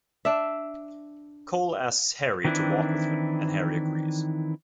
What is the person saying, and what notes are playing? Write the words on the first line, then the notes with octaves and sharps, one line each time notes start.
Cole asks Harry to walk with him and Harry agrees.
D4 E5
D#3 E3 C4 D4 E4